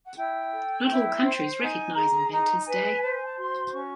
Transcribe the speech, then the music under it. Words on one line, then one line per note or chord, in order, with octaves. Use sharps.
Not all countries recognise Inventors' Day.
F#5
E4 G5
A4
E4
C5
D#4 G#5
G#4 A#5
D#4 A#5
B4 G#5
C5 A5
G#5
A5
F#4 C6
C#4 C#6